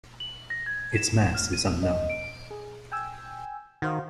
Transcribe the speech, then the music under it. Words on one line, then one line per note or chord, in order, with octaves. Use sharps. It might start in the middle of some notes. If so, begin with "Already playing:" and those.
Its mass is unknown.
F#7
A#6
G#6
E7
F6
D#7
D#5
D7
G#4
G5 G#5 E6
D#3 F#4 C5 F5